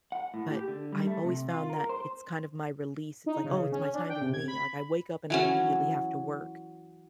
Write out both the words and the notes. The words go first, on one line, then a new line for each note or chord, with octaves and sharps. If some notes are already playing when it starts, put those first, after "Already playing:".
but I've always found that it's kind of my release, it's like, "Oh, it's my time to be me." Like, I wake up and I immediately have to work,
F#5
A2
G4
D3
G3
A3
C3
F4
A#4
C5
D#4
C#3
C#4
D4
G5
C3
G#6
B5
E3 F#3 C#4